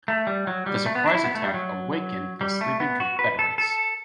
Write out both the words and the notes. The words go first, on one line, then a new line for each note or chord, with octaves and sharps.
The surprise attack awakened the sleeping Confederates.
A3
G3
F#3
G3
A3
B3
D4
E4
B3
A3
G3
F#3
G3
A3
B3
F#4
B4
A4
A4